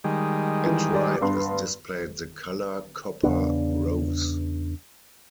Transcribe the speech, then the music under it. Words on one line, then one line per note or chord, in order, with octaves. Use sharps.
At right is displayed the color copper rose.
D#3 G3 G#3
E3
G4 D5
G2 B3 C6
E2 C#3 B3 D4